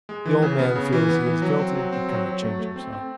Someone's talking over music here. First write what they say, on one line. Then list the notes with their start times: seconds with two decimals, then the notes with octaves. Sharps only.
The old man feels he is guilty, but cannot change himself.
0.09 G#3
0.25 E3
0.42 C#3
0.59 B3
0.75 C#3
0.93 E3
1.09 B3
1.26 E3
1.42 F#3
1.59 C4
1.75 F#3
1.92 C4
2.09 F#3
2.26 F#3
2.42 A3
2.59 A3
2.76 C4
2.92 C4